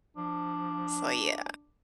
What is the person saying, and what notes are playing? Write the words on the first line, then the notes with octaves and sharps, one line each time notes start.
So, yeah.
F3 D4